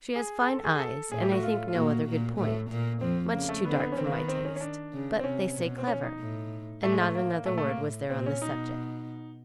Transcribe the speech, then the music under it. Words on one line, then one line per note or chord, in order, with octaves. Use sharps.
She has fine eyes--and I think no other good point--much too dark for my taste--but they say clever;' and not another word was there on this subject.
G#4
G#4
A4
G#4
G#4
A4
A2 A3 G#4
G4
F#4
F4
F4
A#2 A#3 F#4
A#2 A#3
A2 A3
A#2 A#3
F2 F3 C4
C#3 A#3
A3
D3 B3
C4
B3
C#4
D#3 C4
A#3
B3
C4
C#4
C#4
D4
C#3
C4
C3 C#4
B2
C4
C#4
D#4
A2
A2 A3
G#3
A3
A#3
A#2 A3
A3
A#3
A2
A#2 C4
C#4
B2 D#4